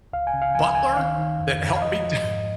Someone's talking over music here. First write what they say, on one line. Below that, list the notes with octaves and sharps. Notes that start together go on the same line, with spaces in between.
butler that helped me down
C#2 F5
G#5
C#3
F5
F3 G#5
C#2 G#5
D#3 F5
D#3
F2
F2
F5
F3 D#5
F3
G#2